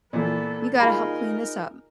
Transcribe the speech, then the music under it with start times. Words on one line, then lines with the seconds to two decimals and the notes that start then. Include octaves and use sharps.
you gotta help clean this up."
0.13 A#2 E3 B3 A4
0.80 D#4 F4 G#4 A#4 B5